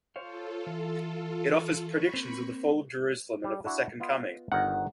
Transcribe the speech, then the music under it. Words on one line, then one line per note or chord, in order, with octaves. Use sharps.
It offers predictions of the fall of Jerusalem and of the Second Coming.
F4 A4 C5 C#5 F5
E3
B5 C#6
A#3 C4
G3
D4 E4 F#4
B3 F4 D#5
G1 D#3 A#4 F#5